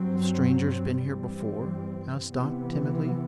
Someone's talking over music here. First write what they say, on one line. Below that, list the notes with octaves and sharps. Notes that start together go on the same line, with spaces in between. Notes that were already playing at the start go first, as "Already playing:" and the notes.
"Have strangers been here before?" asked Dot, timidly.
Already playing: G2 F#3 C4
G2 E3 G3 C4
C3 E3 B3